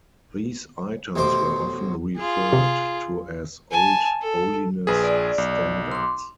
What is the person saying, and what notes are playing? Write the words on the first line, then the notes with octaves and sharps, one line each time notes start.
These items were often referred to as old holiness standards.
A1 B2 C5 D6
F4 G#4
C3
G#5 A5
A4
A#1 G#4 B4
D5
B1
C6 D6